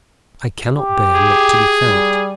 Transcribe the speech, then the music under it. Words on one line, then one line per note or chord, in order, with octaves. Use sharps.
I cannot bear not to be thanked.
G4
G#4
G3